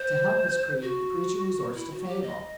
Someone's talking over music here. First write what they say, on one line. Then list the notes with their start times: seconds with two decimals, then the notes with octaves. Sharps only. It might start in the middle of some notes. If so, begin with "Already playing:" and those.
To help his creed, the preacher resorts to fable.
Already playing: C5
0.82 F#4
1.75 E4
1.91 F#4
2.08 G4
2.23 D#5